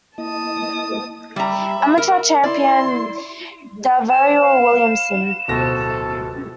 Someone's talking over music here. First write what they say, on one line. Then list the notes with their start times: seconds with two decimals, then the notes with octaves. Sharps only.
Amateur Champion DaVarryl Williamson.
0.18 A#3 E4 D#5 A5 D#6
1.36 G3 E5 A#5 B5
1.98 A#4
2.44 E4 D5 C6
4.10 C4 G#5 E7
4.42 B4 F5
5.48 D1 B2 F3 G4 A4 C5 A#6